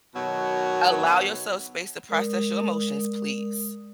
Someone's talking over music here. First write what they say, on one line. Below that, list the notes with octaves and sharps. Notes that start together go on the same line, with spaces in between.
Allow yourself space to process your emotions, please.
B2 D#3 F#3
G#3 A#4 D5 D#6